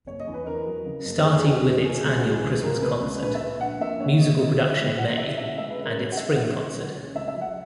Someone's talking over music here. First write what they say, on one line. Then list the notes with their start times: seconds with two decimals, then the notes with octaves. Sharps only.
Starting with its annual Christmas concert, musical production in May, and its spring concert.
0.06 F#1 C#5
0.20 D#5
0.27 E2
0.34 B4
0.47 E2 A#4
0.66 F#3
0.86 C#3
1.05 F#1
1.24 F#1 G#4
1.39 G#4
1.45 E2
1.51 F#4
1.65 C#4
1.84 B2 G#4
2.04 C#2 G#4
2.17 F#4
2.24 G#3
2.30 G#4
2.43 C#2
2.63 C#2 A#4
2.82 B2 B4
3.02 C#2
3.22 A#1 B4
3.35 E5
3.42 A#1
3.60 A#1 F#5
3.80 A#2 E5
4.00 A#1 C#5
4.20 A#3 D#5
4.40 E4 D#5
4.59 E4 E5
4.79 G#3
4.98 E4 F#5
5.18 E4 E5
5.37 C#4 E5
5.58 G#3 E5
5.70 B4
5.78 C#4
5.84 A#4
5.97 G#3 C#5
6.12 F#5
6.17 C#4 E5
6.36 F#3 F#5
6.56 C#3
6.76 C#2
6.95 C#4
7.14 C#2 E5
7.28 E5
7.35 F#3
7.41 F#5